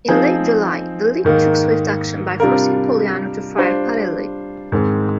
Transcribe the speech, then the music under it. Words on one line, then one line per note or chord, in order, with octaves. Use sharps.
In late July, the league took swift action by forcing Pulliano to fire Parilli.
F3 C4 D#4 G#4 C5
G#2 D#3 A#3 D#4
C3 G3 D4 F4 A#4
G3 D4 F4 C5
G#2 D#3 G#3 C4